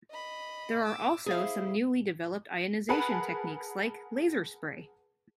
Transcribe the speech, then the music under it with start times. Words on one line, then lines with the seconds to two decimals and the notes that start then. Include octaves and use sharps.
There are also some newly developed ionization techniques like laser spray.
0.10 D#5 B5
0.84 D6 E6
1.26 E4 G#4 C5 F5
2.89 G#4 A#4 B4 F#5 A5 B5